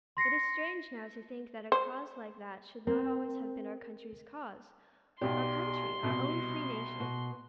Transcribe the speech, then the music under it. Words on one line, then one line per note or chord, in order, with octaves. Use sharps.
It is strange now to think that a cause like that should not always have been our country's cause,--our country,--our own free nation!
C6 A#6 C7 C#7
C5
C4 A#4
B1 B2 G4 D5 C6
C2 B2
B2